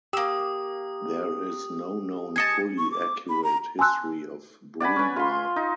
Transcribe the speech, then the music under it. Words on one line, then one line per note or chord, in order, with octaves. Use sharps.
There is no known fully accurate history of broomball.
A#3 G4 D#6 E6
G#4 D#5 A5 G#6 C#7
C#6
D6
B5
A#5
G#5 A5 C6 E6 F#6
D5 F#5 G#5 B5
C#4 B4
F4 C6
D#4